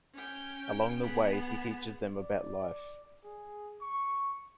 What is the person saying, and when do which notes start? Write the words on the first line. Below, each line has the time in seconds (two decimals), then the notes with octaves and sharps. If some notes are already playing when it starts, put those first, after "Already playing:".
Along the way, he teaches them about life.
0.14 C#4 G5
1.00 B3 G#4
2.13 D5
3.24 G#4
3.81 C#6